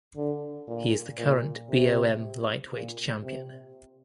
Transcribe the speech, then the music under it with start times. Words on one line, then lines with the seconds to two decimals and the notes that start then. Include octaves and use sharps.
He is the current BoM Lightweight champion.
0.17 D3
0.68 A#2
1.19 A#2
1.70 C3
2.72 A#2
3.23 C3